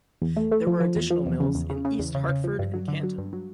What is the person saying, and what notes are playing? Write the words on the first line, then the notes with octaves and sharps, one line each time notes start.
There were additional mills in East Hartford and Canton.
E2
A3
A3
F3
F3
E2
F3
E2
C#3
E2
C#3
C#3
E2
C#3
C#3
F3
G2
F#3
D3
F#3
G2
F#3